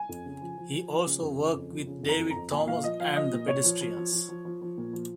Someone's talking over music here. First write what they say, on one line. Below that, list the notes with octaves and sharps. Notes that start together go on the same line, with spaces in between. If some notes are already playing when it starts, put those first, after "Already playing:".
He also worked with David Thomas and the Pedestrians.
Already playing: G#5
F2
C#3
F3
F3
F3
F3
C#3
F2
C#3
F2
F3
C#3
F2
A#5
F2
A#5
F2
A#2 G#5
A#2 F5
F3 D#5
F3 F5
F3 D#5
A#2
A#2 C#5
F3
F3
F3
F3
F3
F3
F3
A#2
F3